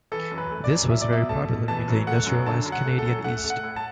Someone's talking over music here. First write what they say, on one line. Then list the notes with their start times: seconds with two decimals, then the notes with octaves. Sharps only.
This was very popular in the industrialized Canadian east.
0.12 E3 A4
0.32 F#2
0.38 B4
0.51 A3
0.64 D5
0.71 F#2
0.90 F#3 E5
1.01 D5
1.10 B2 E5
1.29 A3 A5
1.49 B2
1.68 E3 A5
1.88 F#2
2.07 A3 F#5
2.26 F#2
2.46 D3 A5
2.66 F#2
2.72 F#5
2.85 A3
2.98 A4
3.05 F#2
3.24 A3 F#5
3.44 A3
3.50 F#5
3.63 A2
3.76 A5